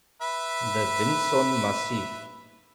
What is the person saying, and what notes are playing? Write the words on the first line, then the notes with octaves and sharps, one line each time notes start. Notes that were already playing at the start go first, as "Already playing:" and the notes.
The Vinson Massif.
B4 E5